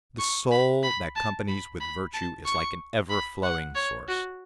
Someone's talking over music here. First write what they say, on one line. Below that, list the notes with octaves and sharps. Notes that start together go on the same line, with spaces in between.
The soul that companies with Virtue is like an ever-flowing source.
C#6
B5
B5
A5
B5
B5
A5
C#6
B5
F#5
C#5
F#4